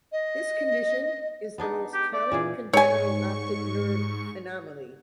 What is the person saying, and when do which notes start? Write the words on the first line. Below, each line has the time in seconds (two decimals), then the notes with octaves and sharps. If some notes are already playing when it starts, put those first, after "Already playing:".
This condition is the most common congenital optic nerve anomaly.
0.12 D#5
1.58 B3 D4 D#4
1.94 G4
2.13 D5
2.32 A#2 E3 G#4
2.73 G#2 C#5 G#5 C#6